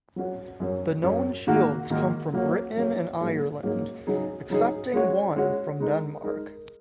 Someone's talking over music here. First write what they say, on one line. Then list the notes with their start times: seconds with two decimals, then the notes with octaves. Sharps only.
The known shields come from Britain and Ireland, excepting one from Denmark.
0.16 F#3 C#4 F#4 C#5
0.60 F#2 F#3 C#4
1.03 F#2 F#3 C#4
1.47 G#2 D#3 A#3 F#4 A#4
1.90 G#2 D#3 A#3 F#4 A#4
2.33 F#3 A#3 C#4 F#4 C#5
2.77 F#3 A#3 C#4 F#4 C#5
3.20 G#2 F#3 A#3 C#4 G#4
3.64 G#2 F#3 A#3 C#4 G#4
4.07 C#3 F#3 D#4 G#4
4.50 C#3 F#3 D#4 G#4
4.94 G#3 C#4 F#4 C#5
5.36 G#3 C#4 F#4 C#5
5.80 G#3 D#4 A#4
6.23 G#3 D#4 A#4